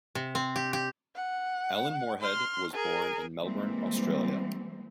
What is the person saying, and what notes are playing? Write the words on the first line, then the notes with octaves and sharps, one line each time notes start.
Alan Moorehead was born in Melbourne, Australia.
C3
C4
G4
G4
F#5
C6 F6
G#4 A#4
E3 G3 G#3 A#3 C4